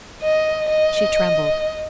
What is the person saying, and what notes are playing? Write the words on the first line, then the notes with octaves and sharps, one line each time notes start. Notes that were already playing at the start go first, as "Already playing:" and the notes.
She trembled.
D#5
D#5